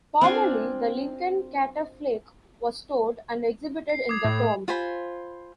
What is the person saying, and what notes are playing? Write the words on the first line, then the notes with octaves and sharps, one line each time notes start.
Formerly, the Lincoln Catafalque was stored and exhibited in the tomb.
C4 D4 F4 G#5
C7
D6 D#6 G#6
A2
F4 C5 G#5 B5